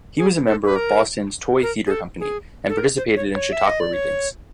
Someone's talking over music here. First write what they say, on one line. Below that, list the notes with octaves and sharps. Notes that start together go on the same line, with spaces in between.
He was a member of Boston's Toy Theater company and participated in Chautauqua readings.
G#4
A4
B4
A#4
A#4
G#4
A4
G#4
A4
A#4
C5
C#5
C#5
E5
D#5
D5
C#5